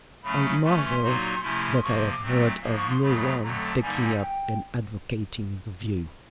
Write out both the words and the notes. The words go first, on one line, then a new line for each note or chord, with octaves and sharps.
I marvel that I have heard of no one taking up and advocating the view.
C#3 F#3 A3 C#4 B5
E3 A3 C#4 C6
C#6
C6
A#2 F#3 A#3 D#4 F#4
C3 F3 A3 C#4 E4
C6
C3 F3 A#3 C#6
C6
D6
A#2 F#3 A3 C4
G#2 F3 A#3
C#6
C6
F2 C#3 F#3 A3 B5
F2 D3 F#3 A3 A#5
A5
G2 D3 G3 A#3 D#4 G#5
A5
G#5
G#5
G5